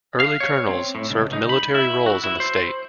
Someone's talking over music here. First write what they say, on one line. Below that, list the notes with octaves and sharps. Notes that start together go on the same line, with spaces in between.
Early colonels served military roles in the state.
F5
C#5
C4
A2
C#2
D#4
B5
E4
F#4
E4
C5